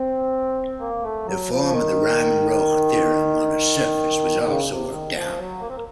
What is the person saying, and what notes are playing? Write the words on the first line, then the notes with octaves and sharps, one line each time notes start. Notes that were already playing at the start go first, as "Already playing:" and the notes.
The form of the Riemann-Roch theorem on a surface was also worked out.
Already playing: C4
A#3
A3
F#3
F3
D#3
C#3
C3
D#3
F3
F#3
A#3
C4
A#3